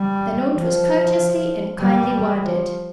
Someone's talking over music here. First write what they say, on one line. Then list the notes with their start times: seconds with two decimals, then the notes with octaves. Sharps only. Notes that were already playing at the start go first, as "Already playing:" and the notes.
The note was courteously and kindly worded.
Already playing: G3
0.56 F3
1.80 G3
2.42 F3